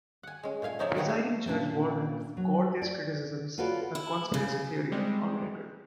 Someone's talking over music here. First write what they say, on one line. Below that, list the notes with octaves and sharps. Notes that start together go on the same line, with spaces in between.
Presiding Judge Walwrath called these criticisms a "conspiracy theory" on record.
F#5 G#5
G#3 C#4
A#2 A3 F5 G#5
F3 F#3 D#4 C#5 D5 E5
D#3 A#3 F#4 G#4 B4 C#5
D4
A#2 C#3 D4 E5 A5
F#3
D5
F4 F#4 A4 B4 C#5 D5
E4
C#3
G3 G#3 C4